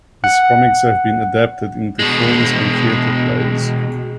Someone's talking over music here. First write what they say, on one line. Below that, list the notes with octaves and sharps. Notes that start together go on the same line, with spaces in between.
His comics have been adapted into films and theatre plays.
F#5
B2 G#3